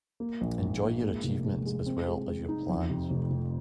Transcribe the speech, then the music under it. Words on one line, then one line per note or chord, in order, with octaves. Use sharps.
Enjoy your achievements as well as your plans.
A#3
A#1
G#2
A#3
G#3
F1
G#3
G#3
C4
G#3
G#3
D#4
F2
C3
F1
F1